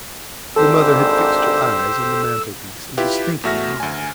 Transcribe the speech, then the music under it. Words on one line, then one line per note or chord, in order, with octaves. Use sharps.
The mother had fixed her eyes on the mantelpiece, and was thinking hard.
G#1 D4 G4 A4 C5 E6
E4 F4 G4 B4
E2 A3 F#4 E5 F6 A#6
D2 G#5